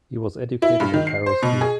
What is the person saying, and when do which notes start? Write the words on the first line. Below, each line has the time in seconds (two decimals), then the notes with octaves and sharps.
He was educated at Harrow School.
0.62 E4
0.80 G2
0.94 D#3
1.07 C7
1.26 C5
1.43 B2
1.61 G#4